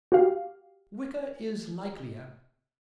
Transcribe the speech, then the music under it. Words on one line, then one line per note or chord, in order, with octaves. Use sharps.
"Wicker IS likelier."
F#4 G4 F5